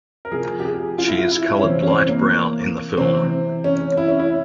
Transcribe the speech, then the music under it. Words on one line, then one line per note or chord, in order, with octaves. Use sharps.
She is colored light brown in the film.
A#4
C3 F3 G#4
G4
G#4
F4
E4
F4
E4
C#4
C3 E3 C4
C#4
C4
A#3
C3 E3 C4
C#4
E4
C#4
E4